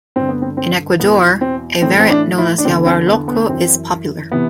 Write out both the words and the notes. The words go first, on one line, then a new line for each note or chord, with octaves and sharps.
In Ecuador, a variant known as yahuarlocro is popular.
G2 D3 C4
B3
C4
C4
E2 B2 B3
C4
A2 E3 C4
C4
D4
E4
D4
E2 D3 C4
C4
B3
B3
F#2 E3 C4
C3 E3 B3